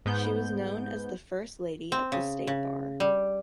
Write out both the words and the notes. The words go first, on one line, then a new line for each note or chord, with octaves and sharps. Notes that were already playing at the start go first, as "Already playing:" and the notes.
She was known as the "first lady" of the State Bar.
G#2 B3 G6
C4
C#3
C#3
G3